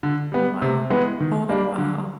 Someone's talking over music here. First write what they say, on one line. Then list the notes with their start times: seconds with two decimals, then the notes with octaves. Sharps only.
Wow. Oh wow.
0.03 D3
0.32 G3 B3
0.62 C3
0.90 E3 G#3 B3
1.20 D#3
1.49 G3 A#3 D4
1.78 D3